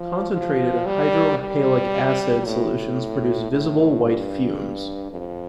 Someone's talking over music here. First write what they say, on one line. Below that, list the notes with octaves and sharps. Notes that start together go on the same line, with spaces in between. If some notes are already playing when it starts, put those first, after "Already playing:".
Concentrated hydrohalic acid solutions produce visible white fumes.
Already playing: F3
F3
G3
G3
A2
A2
G2
F2